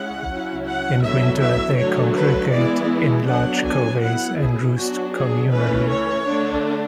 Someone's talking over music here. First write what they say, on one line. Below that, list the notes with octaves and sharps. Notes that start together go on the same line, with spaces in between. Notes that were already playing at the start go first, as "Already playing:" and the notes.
In winter they congregate in large coveys and roost communally.
Already playing: G#3 C#4 E4 F#5
F#3 C#4 E4
F#5
D3 F#3 B3 E4 E5
E5
D3 F#3 A3 C#5
B4
E3 G#3 B3 E4 D5
D3 F#3 B3 D4 F#5
G#5
F#3 B3 E4 F#5
G#4
F#3 B3 D4 F#4
G#4
E3 A3 C#4 B4
C#5
D3 A3 D4